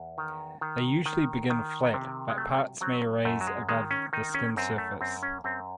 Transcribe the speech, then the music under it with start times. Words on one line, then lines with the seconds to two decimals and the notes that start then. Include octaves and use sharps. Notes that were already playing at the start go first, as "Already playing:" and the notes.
They usually begin flat, but parts may raise above the skin surface.
Already playing: E2
0.18 D#3
0.61 D#3
1.06 D#3
1.50 D#3
1.94 C3
2.29 G#3
2.38 F#3 A3
2.81 F#3 C4
3.25 F#2 A3
3.41 F#3
3.47 G#3
3.69 D#3 G#3
3.91 C#4
4.13 D#3 D#4
4.34 C#4
4.57 F#2 C4
4.78 A3
5.01 F#2 C4
5.23 C#4
5.44 F#2 C4